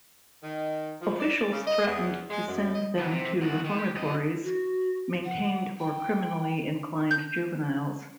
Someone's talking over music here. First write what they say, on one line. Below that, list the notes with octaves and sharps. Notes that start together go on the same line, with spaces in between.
Officials threatened to send them to reformatories maintained for criminally inclined juveniles.
D#3
F3
D5
C#3
D#5
E2
G#3
F#2
D#5
E3 F#3
C3
E2 F#4
D#3
G4
F#2 D#5
F#4
F#5
G5
G6